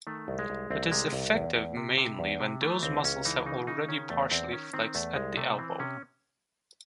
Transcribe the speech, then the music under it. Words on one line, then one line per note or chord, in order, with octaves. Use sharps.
It is effective mainly when those muscles have already partially flexed at the elbow.
D#3 A3
C2
G#3
C2
C2 C4
C3 G#3
C2
E2
E2
C3
C3
E2
C3
E3 A3
C#2 C4
C#2 C#4
E3 D#4
C#3 D#4
C#3 D#4
D#3 C#4
E2 A3
E2 C4
D#3 C#4
D#3 C4
E2 A3
C2 G#3
C3 A3
E3 C4
C3 C#4